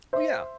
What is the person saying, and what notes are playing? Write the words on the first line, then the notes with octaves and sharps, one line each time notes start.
Oh, yeah.
C5 E5